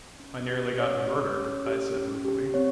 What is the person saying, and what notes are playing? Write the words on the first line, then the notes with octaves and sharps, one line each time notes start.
"I nearly got murdered," I said ruefully.
C#4
G4
C#4 C#5
G4
C#4
G4
C#4
G4
C4 C#5